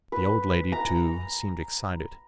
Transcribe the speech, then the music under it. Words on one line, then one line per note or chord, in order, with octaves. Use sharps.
The old lady, too, seemed excited.
B4
A#5